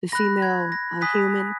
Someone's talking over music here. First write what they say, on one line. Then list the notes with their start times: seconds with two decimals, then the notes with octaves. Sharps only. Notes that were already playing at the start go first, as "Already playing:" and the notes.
the female, uh, human.
0.12 B5 F#6 A#6
0.42 G#6
0.72 A#6
1.01 G#5 D#6 F#6 B6